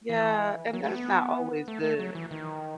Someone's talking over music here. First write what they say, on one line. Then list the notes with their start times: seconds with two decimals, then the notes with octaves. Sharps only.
Yeah, and that's not always good.
0.09 E3
0.73 F#3
0.84 A3
0.94 B3
1.68 A3
1.83 A3
1.99 F#3
2.15 E3
2.31 D#3